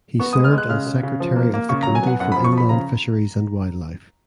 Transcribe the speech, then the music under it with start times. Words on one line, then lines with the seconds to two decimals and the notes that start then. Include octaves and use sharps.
He served as secretary of the Committee for Inland Fisheries and Wildlife.
0.20 B3 C#6
0.33 G#3 D#6
0.44 F6
0.52 G#3
0.58 F#6
0.70 C#3 F6
0.86 C#3
1.03 C#3
1.20 F3
1.36 A#3
1.54 A#3
1.69 C#3 C#6
1.83 F#3 A#5
1.95 G#5
2.03 B3 F#5
2.20 F#2 F#5
2.32 F3 B5
2.44 C#6
2.53 F3 B5
2.69 C#3 A#5